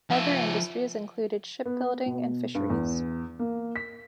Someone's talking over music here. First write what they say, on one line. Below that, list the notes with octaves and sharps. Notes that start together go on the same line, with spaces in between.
Other industries included shipbuilding and fisheries.
F3 E5
B3
B2
G2
E2
A#3
B6